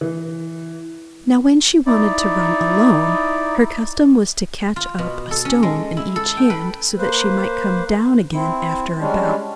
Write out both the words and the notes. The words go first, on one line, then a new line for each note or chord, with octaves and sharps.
Now when she wanted to run alone, her custom was to catch up a stone in each hand, so that she might come down again after a bound.
E3
D#4 E4 D5
F4
B2
A4
C#4
G#3
E4
A4
G5
B4
A#3 B4 C5
C4 E4
G3 G#3 C#4 D4